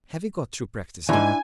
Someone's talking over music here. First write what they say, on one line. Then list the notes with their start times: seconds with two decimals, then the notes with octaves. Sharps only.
Have you got through practising?
1.09 D#2 G#2 D4 E4 G#5